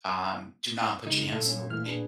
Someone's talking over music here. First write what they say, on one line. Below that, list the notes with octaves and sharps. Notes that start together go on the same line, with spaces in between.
Um, do not put your hands in the wa
C#3 G#3 D#4
A#2 A4
C#4
E3 A3 F6
D4 G#4 B4